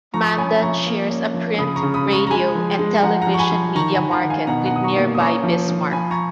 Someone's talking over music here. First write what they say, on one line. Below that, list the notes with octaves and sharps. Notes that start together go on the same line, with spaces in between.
Mandan shares a print, radio, and television media market with nearby Bismarck.
F3 A#5 C#6
D#6
C#6
C#4 G#5 B5
F3 A#5 C#6
A#3
C#4
F3
C#3 B5 D#6
A#5 C#6
C#3
B5 D#6
G#3
A#5 C#6
A#5
G#3 G#5 B5
F3
G#3
F3 F#5 A#5
F#5 A#5
F3
C#6
G#5 B5
F3
D#3 A#5 C#6
D#3 G#5 B5
F#5 A#5
D#3
F5 G#5
B2 F#5 A#5
F#5 A#5
B2 D#6
A#5 C#6
A#3
D#6
C#4 A#5 C#6
F3
F3
F3 G#5 B5
A#5 C#6